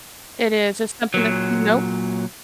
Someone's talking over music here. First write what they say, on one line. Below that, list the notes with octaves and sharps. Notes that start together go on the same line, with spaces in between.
It is, it's something that nope.
A#2 F#3